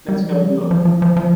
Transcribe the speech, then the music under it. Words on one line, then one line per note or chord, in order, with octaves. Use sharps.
Let's go and look.
G3
F3
G3
F3
F3
F3
F3
F3